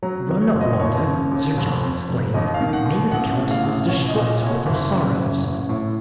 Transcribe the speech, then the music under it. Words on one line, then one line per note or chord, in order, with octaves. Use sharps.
"Run up, Walter," Sir John exclaimed, "maybe the countess is distraught with her sorrows."
F#3 A#5
F2
C#5
F#1
D#5
D#2 C#5
C#3
D#2
F1
F2
F1
D#2 D#5
F5
D#3
F#5
D#2
A1 F#5
A2
F5
A1
C2 C#5
D#5
A#2
D#5
C2
C#5
F#1
F#2
F#1
A1
A2